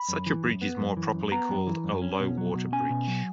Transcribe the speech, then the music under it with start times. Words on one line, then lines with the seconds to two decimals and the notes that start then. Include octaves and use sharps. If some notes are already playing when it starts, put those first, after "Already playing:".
Such a bridge is more properly called a low water bridge.
Already playing: B5
0.09 F#2
0.26 E3
0.44 F#2
0.62 B3
0.79 F#2
0.97 E3
1.14 F#2
1.32 B3 A#5
1.49 F#2
1.67 E3
1.84 F#2
2.02 C#4
2.20 B2
2.38 F#3
2.55 B2
2.72 C#4 G#5
2.90 B2
3.08 F#3